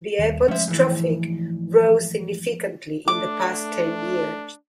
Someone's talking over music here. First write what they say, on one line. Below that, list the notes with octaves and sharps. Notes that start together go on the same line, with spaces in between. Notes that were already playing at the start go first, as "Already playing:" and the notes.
The airport's traffic rose significantly in the past ten years.
D#2 D#3 G3
F3 G#3 A3 C#4 E5
G#2 E3
A3 D4 D6